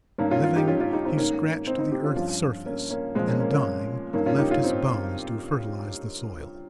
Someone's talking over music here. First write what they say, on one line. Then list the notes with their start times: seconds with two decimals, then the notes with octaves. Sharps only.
Living, he scratched the earth's surface, and dying, left his bones to fertilize the soil.
0.18 G2 D#3 A#3 C#4
0.31 C#4 F4
0.43 C#4 F4
0.56 D#4 G4
0.68 C#4 F4
0.80 C#4 F4
0.93 D#4 G4
1.05 C4 D#4
1.17 G#2 D#3 A#3 C#4
1.67 C4 D#4
1.79 C4 D#4
1.91 D#4 G4
2.04 C#4 F4
2.16 G2 F3 C#4 F4
2.66 A#3 C#4
2.90 A#3 C#4
3.15 A#2 F3 G#3 C4
3.27 A#3 C#4
3.40 A#3 C#4
3.52 A#3 C#4
4.13 G2 D#3 A#3 C#4
4.26 C#4 F4
4.38 D#4 G4
4.51 C#4 F4
4.63 C4 D#4